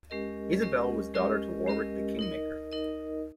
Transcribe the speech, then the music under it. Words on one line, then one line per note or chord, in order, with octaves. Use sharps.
Isabel was daughter to Warwick the Kingmaker.
G#3 C#4 G4 A#4 D#5
G#3 C#4 G4 A#4 D#5
G#3 C#4 G4 A#4 D#5
G#3 C#4 G4 A#4 D#5
D#4 A#4 D#5
D#4 A#4 D#5